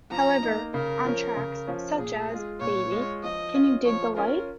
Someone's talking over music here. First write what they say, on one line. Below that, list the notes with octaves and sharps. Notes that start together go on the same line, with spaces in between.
However, on tracks such as Baby, Can You Dig the Light?
F3 A#5
A#3 D#4
C#3 A#4
F3 C#4
C#3
F3 C#4
A#2 G#4
G#3 F4
A#2 C#5
G#3 F4
F3 D#5
C#4 F4
F3 C#5
C#4 F4 A#4